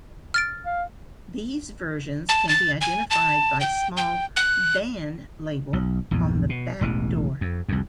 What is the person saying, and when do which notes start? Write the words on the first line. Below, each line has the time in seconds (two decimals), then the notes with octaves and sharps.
These versions can be identified by small "Van" label on the back door.
0.34 F6 A6 D7
0.66 F5
2.29 A5
2.49 A6
2.81 G#5
3.10 A5
3.61 G5
3.97 G5
4.36 F#6
5.73 B1
6.11 A#1 E2 G2
6.49 B2
6.81 E1 A1 E3
7.41 F2
7.69 C2 F2